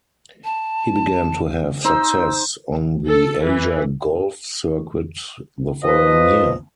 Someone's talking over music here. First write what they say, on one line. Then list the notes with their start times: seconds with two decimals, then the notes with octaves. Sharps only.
He began to have success on the Asia Golf Circuit the following year.
0.44 A5
1.84 D#4 C5 E6
3.06 A4
3.43 E3
5.84 F3 B4 D#5